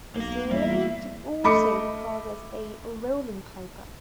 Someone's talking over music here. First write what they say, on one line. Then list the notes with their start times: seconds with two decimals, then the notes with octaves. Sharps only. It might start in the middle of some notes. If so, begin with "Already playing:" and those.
The sleeve could also pass as a rolling paper.
0.16 B1 A#3 F5
0.51 E2 G3 A#3 E5
1.44 A3 D#5 B5 D6 C#7